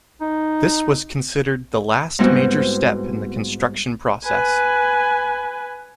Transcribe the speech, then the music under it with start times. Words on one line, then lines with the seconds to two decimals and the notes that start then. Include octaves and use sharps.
This was considered the last major step in the construction process.
0.21 D#4
2.19 G#2 G3 B3 C4 E4 F#4
4.25 B4 G#5